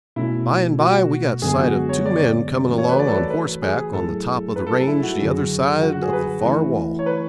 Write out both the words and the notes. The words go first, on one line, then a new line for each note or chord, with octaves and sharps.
By and by we got sight of two men coming along on horseback on the top of the range the other side of the far wall.
B2 A3 C#4 E4
F#4
F#2 D3 G#3 B3 G#4
F#4
C#5
D5
E3 A3 C#4 F#4
C#5
B4
D5
A4
B4
B4
G#4
G#2 F#3 A3 E4 G#4 A4
B4
A4
E4
F#4
F#2 D3 F#3 C#4 G#4
F#4
F#4
G#4
B4
E3 A3 C#4 E4
C#5
B4